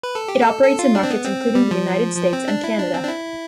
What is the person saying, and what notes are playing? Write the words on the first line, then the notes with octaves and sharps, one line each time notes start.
It operates in markets including the United States, and Canada.
B4
A4
G4
A4
A4
F4
D4
C4
B3
C4
G3
F3
F3
C4
D4
E4
D4
C4
D4
E4